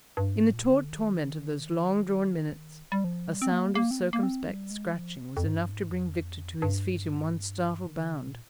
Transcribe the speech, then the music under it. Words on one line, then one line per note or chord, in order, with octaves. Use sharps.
In the taut torment of those long-drawn minutes a sound of circumspect scratching was enough to bring Victor to his feet in one startled bound.
G2
G#2
A#2
D3
D#3
G3
F3
G3
C4
A#3
A#3
C4
A#3
A#3
C4
G3
G#3
F3
F2
G#2
G2
G#2
F2
G2
G#2
G2
D#3
D3
C3
A#2